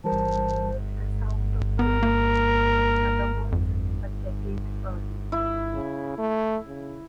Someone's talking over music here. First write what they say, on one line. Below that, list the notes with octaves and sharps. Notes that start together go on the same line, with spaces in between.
The sound of today, in other words, a decade early.
E3 G3 A#4 C5 A5
B3 A#4
A#3
F2
E4
C#3
A3
C#3